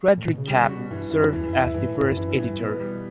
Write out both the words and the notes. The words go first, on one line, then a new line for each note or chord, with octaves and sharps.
Friedrich Kapp served as the first editor.
A2
B2
C#3
D3 G3
C#3
F#4
B2
G2 E3
F#2 E3
E2 E3
F#2
E4
E2
G2 E3
A2
E3
F#2
F#2 E3
G2
G2 E3
G2
B2 B3
G3